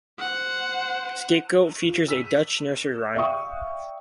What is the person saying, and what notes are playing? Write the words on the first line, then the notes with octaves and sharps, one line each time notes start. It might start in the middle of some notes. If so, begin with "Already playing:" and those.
"Scapegoat" features a Dutch nursery rhyme.
C5 F#5
F4
E6 B6 D#7
D5 E5 F5 G5 C#6 D#6